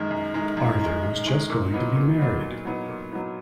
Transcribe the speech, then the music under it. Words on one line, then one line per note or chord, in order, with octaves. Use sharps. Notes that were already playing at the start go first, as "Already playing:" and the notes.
Arthur was just going to be married.
Already playing: F#2 D#3 G#3
F#2
D#3 G#3
F#2
D#3 G#3
F#2
D#3 G#3
A#2
F#3 B3 D#4
A#2
F#3 B3 D#4
A#2
F#3 B3 D#4
A#2
F#3 B3 D#4